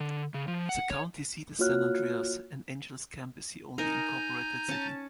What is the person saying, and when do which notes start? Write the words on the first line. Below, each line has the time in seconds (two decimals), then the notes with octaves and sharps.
The county seat is San Andreas, and Angels Camp is the only incorporated city.
0.01 D3
0.34 C#3
0.48 F3
0.69 F#5
0.90 C#5
1.59 A#3 F4 F#4 C#5 F6 F#6
3.78 D#4 A#4 G#5 A#5 G6
4.69 C#4 A5